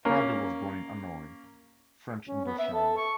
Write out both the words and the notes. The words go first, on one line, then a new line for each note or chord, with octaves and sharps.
Pradier was born in Hanoi, French Indochina.
A#3 C#4
C#4
B3
E5
A4
C#6